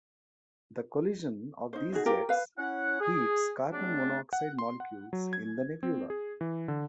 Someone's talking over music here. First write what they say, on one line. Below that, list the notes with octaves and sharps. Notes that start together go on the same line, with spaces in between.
The collision of these jets heats carbon monoxide molecules in the nebula.
D#4 C5
D#4 F#4 G#4
F4 G4 A#4
B4 F5
C#4 E4 F#5
G#4
F#3 G#3 A3 C4 D4
F#5
C6
F#5
F#3
G#6
C4
G#4
E3
D3